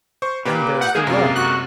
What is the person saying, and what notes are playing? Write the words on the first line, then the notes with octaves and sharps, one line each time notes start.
And there's the rub.
C5 C#6
A#2 A#3 G4 B4
F#5 G6
G#3 A#3 G#4
F#2 C3 F4
F#4 F#6